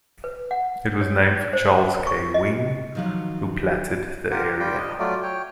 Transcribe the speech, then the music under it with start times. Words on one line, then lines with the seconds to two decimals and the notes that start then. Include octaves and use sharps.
It was named for Charles K. Wing, who platted the area.
0.24 B4
0.51 F#5
1.01 C#5
1.53 C5
2.07 C#6
2.34 D#5
2.95 D#3 F3 F#3
4.31 F4 G4 A#4 F#5
4.44 G4
4.60 G3 F4 D5 G5
4.77 D#5
4.99 F#3 A3 F4 D5
5.23 C#5 G5